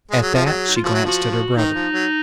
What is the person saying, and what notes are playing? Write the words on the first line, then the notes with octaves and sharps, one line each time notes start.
At that, she glanced at her brother.
G#3 G#4
F#3
F3
F#3
D#4
F4
F3 F#4
F#3
F3 F#4
F#4
D#3 D#4
F3
F#3